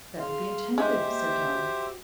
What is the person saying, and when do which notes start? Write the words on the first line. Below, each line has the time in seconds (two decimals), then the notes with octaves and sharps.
"That would be intended," said Dolly.
0.19 G#4 F5 C6
0.78 G#3 G4 C5 E5
1.08 A#3
1.53 F#4